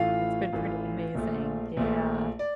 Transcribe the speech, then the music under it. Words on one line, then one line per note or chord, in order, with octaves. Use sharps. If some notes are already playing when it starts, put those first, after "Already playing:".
It's been pretty amazing, yeah.
Already playing: A1 A2 E3 A3 F4 F5
A1 A2 E3 A3
A#1 A#2 A3
A#1 A#2 A3
D5